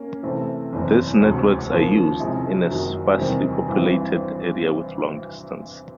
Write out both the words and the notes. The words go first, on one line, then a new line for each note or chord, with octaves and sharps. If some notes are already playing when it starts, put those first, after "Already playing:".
These networks are used in sparsely populated areas with long distance.
Already playing: A#3 C#4
C3 E3 A3 C4
F#1 E2 C3
E1 D2 C3
D#2 C#3 F3 A#3
C3 F3 G#3 C#4 E4
F#1 F#2 D#3 F#3
E2 C3 D#3 G3 C4
G#1 G2 E3 G3 C4